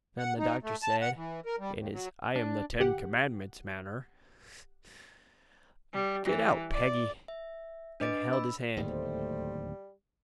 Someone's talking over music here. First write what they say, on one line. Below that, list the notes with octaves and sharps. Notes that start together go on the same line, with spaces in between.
Then the doctor said, in his I-am-the-Ten-Commandments manner, "Get out, Peggy," and held his hand.
F#5
D#4
A3
A5
F#5
E3
A#4
G3
D#2
F#3
D4
G1 G4 F#5
G3
E3
D5
E5
D4 B4 D#5 D6 A6 D7
B5 E6
D1 D#2 G3 A3 C5